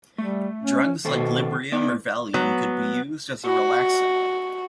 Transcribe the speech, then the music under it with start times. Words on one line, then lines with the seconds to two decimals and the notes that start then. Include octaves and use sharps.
Drugs like Librium or Valium could be used as a relaxant.
0.18 G3 A3
0.62 C#4
1.05 B2 D#3 A4 C5
1.72 B3 D#4 D5
2.34 F#3 B3
3.46 F#4